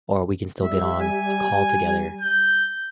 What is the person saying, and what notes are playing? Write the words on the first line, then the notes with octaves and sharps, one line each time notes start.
or we can still get on a call together,
G3 E5
G#5
G6